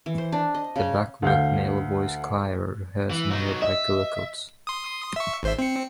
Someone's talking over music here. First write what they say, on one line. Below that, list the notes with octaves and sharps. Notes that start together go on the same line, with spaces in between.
The Backworth Male Voice Choir rehearse in nearby Cullercoats.
E3
C5
D4
D#5
C#3
D2 F5 G6
E3
F#3 D#4
D#5 E5
C6 D#6
E5 C#6
G#1 C5 E5
C4 C#7